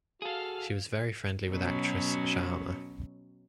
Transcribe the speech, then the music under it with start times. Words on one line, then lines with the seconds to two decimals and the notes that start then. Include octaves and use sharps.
She was very friendly with actress Shyama.
0.22 F#4 G#4 A4 F5 F6
1.50 B2 F#3 C#4